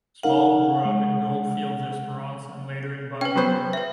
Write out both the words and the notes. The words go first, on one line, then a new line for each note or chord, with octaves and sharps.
Small grew up in Goldfields–Esperance and later in Bunbury.
D#4 A#4 F5 F#5
G#3
C#4 B4 G5
F#3 B3 C5
B4 E5